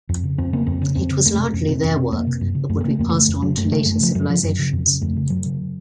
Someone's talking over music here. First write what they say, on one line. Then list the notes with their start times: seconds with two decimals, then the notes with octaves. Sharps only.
It was largely their work that would be passed on to later civilizations.
0.09 F2
0.24 C#3
0.38 F2 C4
0.53 C#3 A#3
0.67 F2 C4
0.82 C#3 C#4
0.95 F2 C4
1.11 C#3
1.25 F2 A3
1.39 C3
1.53 F2 C#4
1.68 C3 C4
1.83 F2 C#4
1.97 C3 C4
2.12 F2 A#3
2.27 C3
2.41 F#2
2.55 C#3
2.69 F#2 A3
2.81 C#3 A#3
2.90 A3
2.99 F2 A#3
3.09 C#3 A3
3.28 F2
3.42 C#3 F#3
3.57 F#2 A3
3.72 C#3 A3
3.85 F#2 A3
4.00 C#3 F3
4.15 F#2 F#3
4.29 C#3 F3
4.43 F#2 F#3
4.59 C#3
4.73 F2
4.87 C#3
5.01 F2 A3
5.16 C#3
5.30 F#2 F#3
5.46 C#3